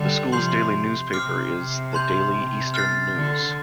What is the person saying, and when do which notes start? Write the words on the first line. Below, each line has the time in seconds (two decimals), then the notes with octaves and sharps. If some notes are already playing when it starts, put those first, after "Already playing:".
The school's daily newspaper is The Daily Eastern News.
Already playing: D3 G3
0.32 C3 F3 C6 G6 C7 F7
1.13 C3 D6 F6 C7
1.53 C3
1.93 A5 C6 G6 F7
2.34 C3
2.74 F6 A6 C7
3.14 D3